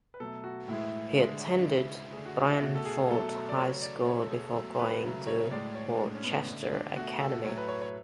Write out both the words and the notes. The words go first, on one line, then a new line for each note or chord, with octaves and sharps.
He attended Branford High School before going to Worcester Academy.
B4
B2 F#3 A3 A4
F#4
A2 E3 G#3 E4
D3 G#3
D4
C#3 G#3 E4
D3 A3 G#4
F#4
D4
E4
B2 A3 F#4
A4
G#4
B2 F#3 A3 A4
D5
C#3 F#3 A3 C#5
D5
B2 A3 C#5
A4
G#4
B2 F#3 A3 A4
B4
C#3 F#3 A3
C#5
A2 G#3 D5
C#5
A2 G#3 D4
C#4
B3
D3 A3
D4
B2 A3 F#4
A4
A2 F#3 A3 C#5
B4
C#5
C#5